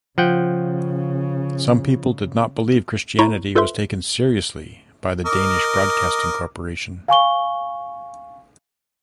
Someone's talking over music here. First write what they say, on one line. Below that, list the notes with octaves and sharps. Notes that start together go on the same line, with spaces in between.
Some people did not believe Christianity was taken seriously by the Danish Broadcasting Corporation.
C#3 F3 F#5 G5
E4 C#5 A#5 B5 C#6
F4 A4 B4 C5 E5 C6
A#4 D#5 D6
F5 G#5 C#6 G7